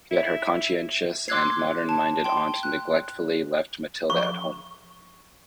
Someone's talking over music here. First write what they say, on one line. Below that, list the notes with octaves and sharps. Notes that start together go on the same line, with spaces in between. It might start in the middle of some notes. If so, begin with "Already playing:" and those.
Yet her conscientious and modern-minded aunt neglectfully left Matilda at home.
E4
C6 D6 E6 F#6 G#6 C7
A5
G5 C6
F#6
C#6